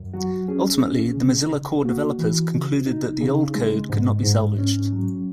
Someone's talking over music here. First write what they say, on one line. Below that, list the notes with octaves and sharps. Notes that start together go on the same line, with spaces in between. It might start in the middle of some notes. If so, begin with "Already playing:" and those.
Ultimately, the Mozilla core developers concluded that the old code could not be salvaged.
Already playing: F#2
F#3 F#4
C#4 G#4
C#4
C#3
C#3
A#3 F#4
E3
C#3
D#4
C#3 G#4
G#3
G#2
G#2
C#4
F#3